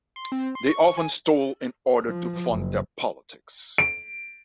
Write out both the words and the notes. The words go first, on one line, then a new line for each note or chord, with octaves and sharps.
They often stole in order to fund their politics.
C6
C4
C6
C#6
G#5
F3
F#1
D7